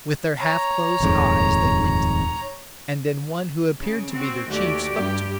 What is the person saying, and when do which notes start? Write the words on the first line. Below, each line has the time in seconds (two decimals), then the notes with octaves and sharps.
With their half-closed eyes they blinked at me, and then one who appeared to be their chief spoke to me.
0.40 C#5 A#5
1.00 D#1 F2 G#2
3.80 C#3
4.12 C4 F#4
4.49 D#2 A3 F#4 G4 D5
4.94 G2 G4